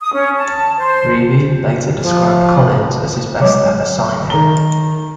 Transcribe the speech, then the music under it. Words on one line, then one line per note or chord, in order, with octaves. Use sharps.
Revie later described Collins as his best ever signing.
D#6
C#4
A5
C5
F3
F#3 G#3
D#3 A#5 G7